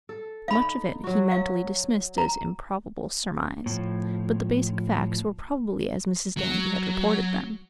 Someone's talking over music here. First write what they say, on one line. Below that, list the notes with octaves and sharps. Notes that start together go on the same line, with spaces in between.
Much of it he mentally dismissed as improbable surmise, but the basic facts were probably as Mrs. Danby had reported them.
A4
D#4 F5 B5
F#3 F#4
F5
A#5
A2 F3
F#3